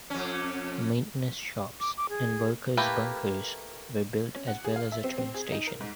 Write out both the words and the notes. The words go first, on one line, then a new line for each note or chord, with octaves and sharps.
Maintenance shops and workers' bunkers were built as well as a train station.
F2 C#4
D6
D6
G#4
A3 A#3 E4 G4 B4
C#4
F#5
G#4
F5
E5
C4
C4
G#4
D#4
A#4
G#2